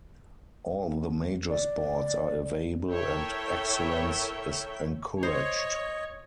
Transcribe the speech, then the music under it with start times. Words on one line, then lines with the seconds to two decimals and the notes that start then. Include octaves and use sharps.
All the major sports are available and excellence is encouraged.
1.50 D5
2.91 E4 A4 A#4 C#5 E5 G5
5.23 C5 C#5 D#5